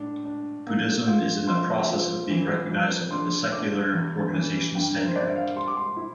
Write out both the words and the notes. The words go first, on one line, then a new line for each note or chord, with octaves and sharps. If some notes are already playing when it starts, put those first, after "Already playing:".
Buddhism is in the process of being recognized under the secular organization standard.
Already playing: A2 D4
D4
A#3
F4
F2 C6
F3
E3
F2
D4 C6
D4 D6
E2
E3
G2 G5
A#4
C5
G2 D5
E5
F5
G3 C6
D6
C6
E4